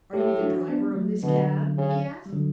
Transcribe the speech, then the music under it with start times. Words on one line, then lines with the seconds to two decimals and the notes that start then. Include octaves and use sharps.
"Are you the driver of this cab?" he asked.
0.13 A2 E4 G4
0.41 D4 F#4
0.68 B3 D4
0.91 G3
0.95 F#3 A3
1.23 B2 D3 F#3
1.78 C#3
2.26 G3
2.32 D3 F#3